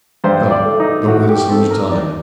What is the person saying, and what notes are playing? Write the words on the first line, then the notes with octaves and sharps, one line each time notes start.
Come, don't let us lose time.
G2 C5
D5
A3
D#4
D#3 F#4
G4
C4 A4
A#4
D#4 D5